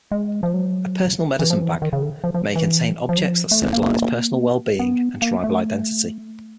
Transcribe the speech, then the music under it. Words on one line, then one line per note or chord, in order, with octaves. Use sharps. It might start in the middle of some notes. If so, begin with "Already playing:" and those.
A personal medicine bag may contain objects that symbolize personal well-being and tribal identity.
G#3
F3
F#3
E3
F3
E3
D#3
C#3
D3
F3
F3
E3
F3
F#3
F3
A3
A#3
B3
A#3
A3